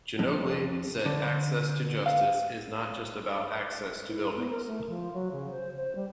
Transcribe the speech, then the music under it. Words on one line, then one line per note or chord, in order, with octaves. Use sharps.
Djanogly said Access to justice is not just about access to buildings.
F2
D3
F5
E4
B3
A#4
A3
F3
F#3
C#3
C5
C5
G3